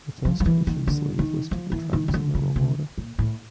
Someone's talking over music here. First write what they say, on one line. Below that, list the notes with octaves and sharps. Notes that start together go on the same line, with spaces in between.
The first edition sleeve listed the tracks in the wrong order.
F3
F3
E3
D#3
D3
D#3
F3
E3
D#3
C#3
D3
C#3
C3
A#2
A2